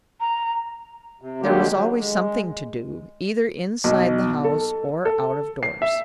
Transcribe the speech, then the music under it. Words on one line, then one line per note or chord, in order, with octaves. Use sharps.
There was always something to do, either inside the house or out-of-doors.
A#5
C3
D3 D#3 F#3 G#3 A#3 G4
F#3
G#3
B1
A4
A4
C7
E5